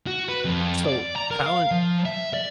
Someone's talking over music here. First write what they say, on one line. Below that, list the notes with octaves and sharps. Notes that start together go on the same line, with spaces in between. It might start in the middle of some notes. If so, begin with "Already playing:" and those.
So, Palant
F#4
B4
F2
D5
A#5
A#4
F5
F3
E5
D5